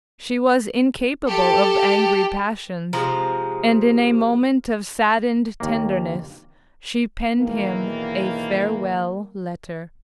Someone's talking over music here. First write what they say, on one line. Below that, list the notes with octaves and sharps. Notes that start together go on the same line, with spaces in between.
She was incapable of angry passions, and in a moment of saddened tenderness she penned him a farewell letter.
G4 A4 A5
C3 F3 G#3 A#5
D#2 A#3
B1 E2 D#3 E3 A#3